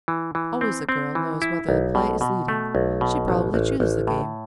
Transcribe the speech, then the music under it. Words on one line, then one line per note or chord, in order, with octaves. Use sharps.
Always the girl knows whether the play is leading: she probably chooses the game.
E3
E3
C4
C4
E3
E4
B1
B2
B2
A3
B1
B2
A1
A1
A1
A2